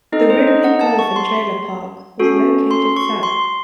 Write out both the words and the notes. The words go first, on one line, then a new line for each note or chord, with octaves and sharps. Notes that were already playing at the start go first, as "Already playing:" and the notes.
The Rimbey Golf and Trailer Park was located south.
C4 D#4 A4 D#5
C5
D#5
F#5
A5
C#6
C6
C#4 F#4 A4
C6
C#6
C6